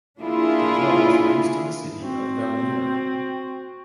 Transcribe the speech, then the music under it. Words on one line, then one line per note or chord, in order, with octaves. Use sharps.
The club is based in the city of Valmiera.
A#3 D4 E4 F4 G#4
C4 F#4